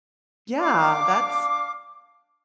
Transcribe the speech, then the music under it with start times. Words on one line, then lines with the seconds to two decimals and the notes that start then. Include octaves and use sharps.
Yeah, that's
0.60 D4 F5 D6